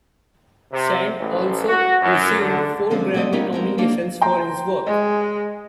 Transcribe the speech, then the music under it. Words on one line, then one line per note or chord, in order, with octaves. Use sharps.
Shand also received four Grammy nominations for his work.
C3
A1
F#4
F#2
D3
D3 F3 G#3 C4 C#4
G3 A3 C4 A4 D5 D#5
B3 C#4 D#4 F4 G4 A#4
G#3 C4 A#4
A#3 D4 D#4 A4
G5 A#5 C6
G#3 D#5